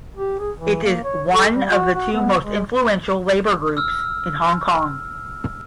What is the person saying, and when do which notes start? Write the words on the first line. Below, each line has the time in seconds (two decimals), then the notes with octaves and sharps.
It is one of the two most influential labour groups in Hong Kong.
0.17 G4
0.39 G#4
0.57 E3
0.84 A#3
1.04 C#5
1.33 A4
1.54 G3
1.70 F#4
1.95 F#4
2.12 B3
2.42 G#3
3.77 E6 F6